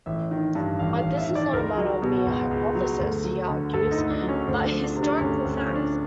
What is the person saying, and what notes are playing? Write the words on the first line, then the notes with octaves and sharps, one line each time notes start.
But this is not a matter of mere hypothesis, he argues, but historical fact.
A1 E5
D#3
G2
A1 F5
F5
A1
E5
D#3
D5
C#2 A#4
F#3
B2
C#2
C#2
F#3
D2
F#3
D3
D2 A4
D#4
D2
D4
F#3
C#4
D2 C4
D4
F3
D4
C3
D4
D2 C#4
C4
D2
C#4
F3
D4